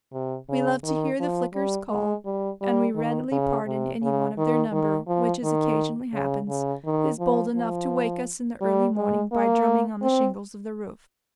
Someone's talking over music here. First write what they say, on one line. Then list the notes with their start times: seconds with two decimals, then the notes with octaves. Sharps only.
We love to hear the flickers call, and we readily pardon any one of their number which, as occasionally happens, is bold enough to wake us in the early morning by drumming on the shingles of the roof.
0.12 C3
0.49 C#3
0.84 D#3
1.20 F3
1.54 G3
1.90 G#3
2.25 G3
2.61 G3
2.95 D#3
3.32 C#3
3.66 C3
4.02 C#3
4.37 D#3
4.72 D#3
5.07 F3
5.44 D#3
6.14 C#3
6.49 C#3
6.85 D#3
7.19 F3
7.55 F3
8.61 G3
8.96 G#3
9.32 A#3
10.02 C4